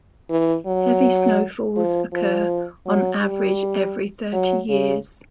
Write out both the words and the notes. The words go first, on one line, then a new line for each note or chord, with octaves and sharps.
Heavy snowfalls occur on average every thirty years.
E3
F#3
F3
F3
F#3
G3
F#3
C#3